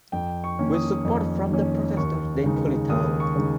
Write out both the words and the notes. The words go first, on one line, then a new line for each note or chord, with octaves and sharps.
With support from the protesters, they pulled it down.
F2 G5
C#6
D#3 A#3 C#4
D#6
F2
D#3 A#3 C#4
D#2 C#6
C#3 G#3 D#4
D#2 D#6
C#6
C#3 G#3 D#4